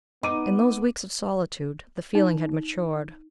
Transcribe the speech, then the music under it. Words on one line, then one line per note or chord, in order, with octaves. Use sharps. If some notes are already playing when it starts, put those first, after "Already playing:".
In those weeks of solitude the feeling had matured.
B3 D#4 D6 D#7
D#4